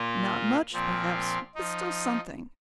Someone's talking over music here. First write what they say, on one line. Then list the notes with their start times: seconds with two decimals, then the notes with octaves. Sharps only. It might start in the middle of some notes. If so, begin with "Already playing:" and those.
"Not much, perhaps, but still something."
Already playing: A#2 A#3 F4
0.73 A#2 F3 C4
1.55 F3 D#4